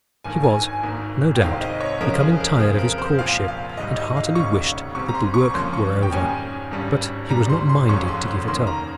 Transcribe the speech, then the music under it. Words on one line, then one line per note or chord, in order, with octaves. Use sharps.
He was, no doubt, becoming tired of his courtship, and heartily wished that the work were over; but he was not minded to give it up.
G#1 G2 D#3 A#3 G#5
G#5
G#5
G#1 G#2 D#3 A#3
G5
C2 C3 D#3 G#3 C4 F5
D#5
C#5
F2 C#3 F3 G#3 C#4 A#4
G#4
A#4
F2 C#3 G#3 C4 G#4
A#4
C5
C2 A#2 F3 F5
F5
G#1 G#2 G3 D#5
D#5
F5
F1 D#2 C#3 G3 C#4 C#6
C2 C3 G3 C4 C#6
A#5
C6
C#6
F2 C#3 F3 A#3 C#4 C6
C#6
G5
G#2 D#3 G3 A#3 C#4 G#5
G#1 G2 G3 C#4
G#1 G#2 G3 A#5
C6
C6
F1 F2 C#3 G#3 C#4 C#6
C6
C6
D#2 D#3 A#3 C#4 C6
A#5